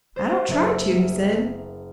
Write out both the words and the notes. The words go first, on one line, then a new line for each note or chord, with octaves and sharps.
"I don't try to," he said.
C5 E7
F#1 A#3 E5